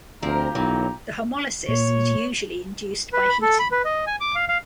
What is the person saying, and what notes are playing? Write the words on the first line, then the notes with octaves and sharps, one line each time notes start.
The homolysis is usually induced by heating.
D2 F3 C4 F4 G4 A#4 A#5
B1 D#3 E3 F#3
A#2 C#5
B4
B5
A4
B5
B4
D#5
G#5
D6
F5
F5